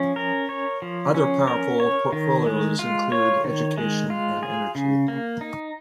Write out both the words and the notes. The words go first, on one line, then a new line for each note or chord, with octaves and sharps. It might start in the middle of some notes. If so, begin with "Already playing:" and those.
Other powerful portfolios include Education and Energy.
Already playing: F3 C#4
A#4
C#5
F3
C#4
A#4
C#5
D#3
G#3
F4
C#5
D#3
G#3
F4
G#4
C#3
A#3
D#4